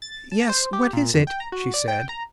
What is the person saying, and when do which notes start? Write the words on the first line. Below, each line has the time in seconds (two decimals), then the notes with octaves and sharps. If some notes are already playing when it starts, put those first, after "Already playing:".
"Yes, what is it?" she said.
0.02 A6
0.31 A5
0.49 C5
0.73 G4
0.93 A#2
1.14 F2
1.27 G5
1.40 A#5
1.52 F#4
1.74 D5
1.88 G5
2.09 A#5